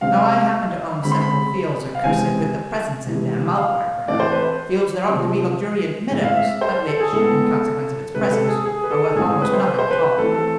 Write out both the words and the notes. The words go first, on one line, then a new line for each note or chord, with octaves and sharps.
Now I happen to own several fields accursed with the presence in them of Black Ram--fields that ought to be luxuriant meadows, but which, in consequence of its presence, are worth almost nothing at all.
C3 G#3 C4 F5
D3 G#3 C4 B5
C6
B5
F5
C3 E3 G#3 C4 G#5
C3 E3 G#3
F5
A2 E3 A3 C4 D5
C5
B4
C5
C3 F3 A3 C4
A2 G#3 C4
F5
E5
C5
A4
G#4
A2 G#3 B3 A4
C3 G#3 C4 B4
A4
G#4
G#4
B4
A4
A2 G#3 C4 G#4
B4
C5
B4
C5
B4
E3 A3 C4 A4
A4